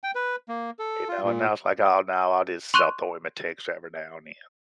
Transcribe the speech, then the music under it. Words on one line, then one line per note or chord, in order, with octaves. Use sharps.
you know, and now it's like, "Oh, no, I'll just I'll throw him a text every now and then."
G5
B4
A#3
A4
F4
A#2
C6 C#6 F#6 D#7 F7